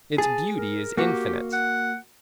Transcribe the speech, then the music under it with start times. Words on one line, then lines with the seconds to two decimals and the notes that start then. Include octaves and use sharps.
Its beauty is infinite.
0.18 G#4 A5
0.58 A#4
0.97 A#3 F#4 G4
1.53 F#5